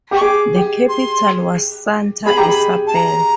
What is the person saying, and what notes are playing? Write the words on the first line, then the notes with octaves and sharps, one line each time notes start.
The capital was Santa Isabel.
G4
C#6
G#4 D6
G4
C6
G#4 B5
G4 A#5
G#4 B5
A5
A#5